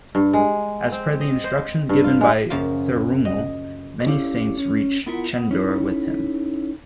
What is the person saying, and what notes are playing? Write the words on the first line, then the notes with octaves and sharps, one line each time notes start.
As per the instructions given by Thirumal, many saints reached Chendur with him.
G2
G#3
C4
D#5
C5
G2
F4
G#3
F#2 C#3 F3 A#3 F4
D#5
C#4 E4 G4 A4 D5 F5
C#4
B3 E4 F4 A#4 E5 F#5
B3
C#4 D#4 E4 A4